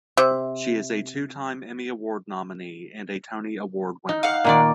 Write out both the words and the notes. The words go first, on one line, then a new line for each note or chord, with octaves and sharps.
She is a two-time Emmy Award nominee and a Tony Award winner.
C3
D#4
F5 F#5
A#2 D#3 A#3 D5